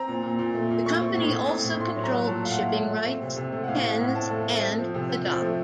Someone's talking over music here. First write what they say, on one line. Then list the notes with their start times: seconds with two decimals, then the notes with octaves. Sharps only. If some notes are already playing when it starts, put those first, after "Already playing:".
The company also controlled the shipping rights, pens and the dock.
Already playing: C4 A#5
0.08 A#2
0.23 A#2
0.39 A#2
0.55 A3
0.70 A#2
0.86 A3 C#6
1.01 C4
1.17 A2
1.33 A2
1.49 C4
1.64 A2
1.80 A3 C6
1.96 F#3
2.04 A#5
2.11 F#3
2.27 A#2 A5
2.44 A3 F5
2.51 F#5
2.59 A#2
2.74 A3 C#5
2.90 A3
3.06 C4
3.22 C3
3.37 C3
3.52 A3
3.64 F#5
3.68 A2 F5
3.84 C4
3.91 F#5
4.00 A2
4.15 C4 A5
4.31 A3
4.47 C4
4.63 C4
4.79 F3
4.94 C3
5.09 C4
5.26 F3
5.41 A3